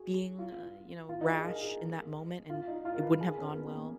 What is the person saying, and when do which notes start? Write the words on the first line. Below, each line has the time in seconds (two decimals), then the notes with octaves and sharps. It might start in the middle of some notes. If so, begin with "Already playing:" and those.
being, uh, you know, rash in that moment, and it wouldn't have gone well.
Already playing: F#4 G#4
0.39 F4
1.09 F4
1.21 D#4
1.32 G#4
1.45 A#4
1.56 G#4
2.50 F4
2.68 D#4
2.85 F4
2.94 A#4
3.03 B4
3.12 A#4
3.21 G#4
3.38 C#4
3.56 B3
3.73 A#3